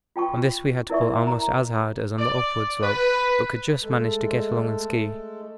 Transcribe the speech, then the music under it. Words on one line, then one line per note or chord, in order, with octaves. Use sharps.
On this we had to pull almost as hard as on the upward slope, but could just manage to get along on ski.
F4 G5 A5 C#6
E4 A#4 D5 E5 A5 C#6
A#5
D5
B4
G#3 A3 A4